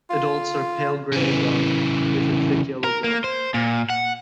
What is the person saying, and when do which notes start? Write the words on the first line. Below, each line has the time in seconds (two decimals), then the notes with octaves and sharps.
Adults are pale grey above, with a thick yellow bill.
0.10 F4
1.13 C#3 E3
2.84 A#4
3.04 A#3
3.24 C5
3.54 A#2
3.90 F#5